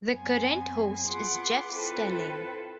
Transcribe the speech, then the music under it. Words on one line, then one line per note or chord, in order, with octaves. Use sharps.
The current host is Jeff Stelling.
F#2 B3 C4 G#5
F4 G#4 B4 F#5 C6 D6
C4 E4 F4 A4 B4